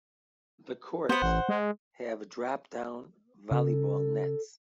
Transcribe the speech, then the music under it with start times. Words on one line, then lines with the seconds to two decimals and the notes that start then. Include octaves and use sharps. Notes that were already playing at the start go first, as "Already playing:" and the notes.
The courts have drop-down volleyball nets.
1.09 B3 C5 F#5
1.22 A1
1.49 G#3
3.51 C#3 A4